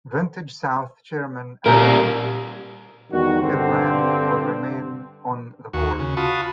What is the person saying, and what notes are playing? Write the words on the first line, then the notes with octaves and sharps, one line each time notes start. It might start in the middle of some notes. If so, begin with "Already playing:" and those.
VantageSouth chairman Adam Abram will remain on the board.
A#2 G3 A#4
E2 D#3 G3 F#4
G2 D3 C4
D#2 F#4 C#6
C#3
F4 F#4 A5 B5 D#6